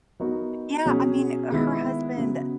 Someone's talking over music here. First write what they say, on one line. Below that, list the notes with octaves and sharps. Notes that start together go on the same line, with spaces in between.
Yeah. I mean, her husband
F#3 B3 D#4 F#4 A#4
B2 F#3 C#4 G#4
D#3 G#3 B3 E4
C#3 F#3 B3